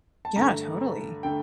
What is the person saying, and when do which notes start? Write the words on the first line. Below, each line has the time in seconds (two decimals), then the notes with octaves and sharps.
Yeah, totally.
0.25 A5
0.36 G2 D3 A3 A#5
1.23 D3 A3 G5